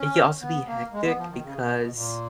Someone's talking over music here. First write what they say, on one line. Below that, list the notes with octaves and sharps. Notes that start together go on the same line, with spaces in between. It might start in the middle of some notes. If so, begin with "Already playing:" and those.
It can also be hectic because
Already playing: C#4
B3
A#3
G#3
B3
F3
D#3
C#3
B2
B2
A#2